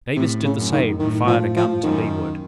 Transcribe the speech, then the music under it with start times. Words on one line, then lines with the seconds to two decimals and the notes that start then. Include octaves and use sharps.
Davis did the same, and fired a gun to leeward.
0.16 A2 C3
0.44 C#3
0.58 F#2
0.72 D#3
0.99 A2 D#3
1.27 F3
1.56 F3
1.83 F#2 D#3